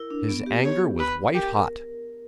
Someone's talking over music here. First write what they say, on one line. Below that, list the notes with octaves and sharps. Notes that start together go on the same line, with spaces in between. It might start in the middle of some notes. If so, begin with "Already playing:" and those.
His anger was white hot.
Already playing: E4 A#4
D4
B3
G4
C#5
B4
G4 A#4